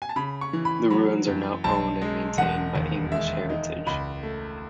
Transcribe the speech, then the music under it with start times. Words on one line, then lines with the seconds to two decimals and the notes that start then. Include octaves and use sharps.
The ruins are now owned and maintained by English Heritage.
0.02 G#5
0.09 A5
0.16 C#3 B5
0.41 C#6
0.53 E3
0.65 B5
0.90 F#3 B5
1.27 F#2
1.64 B1 A5
2.02 G#3
2.38 E1 F#5
2.75 D#2
3.12 G#3 E5
3.49 D#4
3.86 C#2 B5
4.23 A3